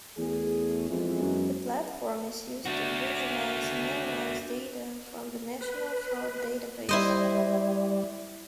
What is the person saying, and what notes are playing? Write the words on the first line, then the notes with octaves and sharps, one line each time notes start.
The platform is used to visualize and analyze data from the National Fraud Database.
E2 A3 G#4
F2 E3 G#3 B3
F#2
D4 F#4
B4
G3 E4 C5 D#5